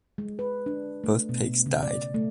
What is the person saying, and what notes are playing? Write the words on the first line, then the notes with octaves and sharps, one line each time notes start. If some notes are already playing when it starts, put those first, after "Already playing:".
Both pigs died.
G#3
B4
D4
A3
B2
C#3
D5
A3